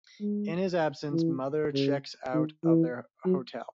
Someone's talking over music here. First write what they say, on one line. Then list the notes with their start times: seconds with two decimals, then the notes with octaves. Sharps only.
In his absence Mother checks out of their hotel.
0.21 G#3
1.12 E3
1.74 C#3
2.34 D#3
2.64 E3
3.25 F#3